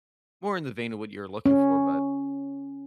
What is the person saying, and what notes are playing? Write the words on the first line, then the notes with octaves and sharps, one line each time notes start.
more in the vein of what you're looking for, but,
C#4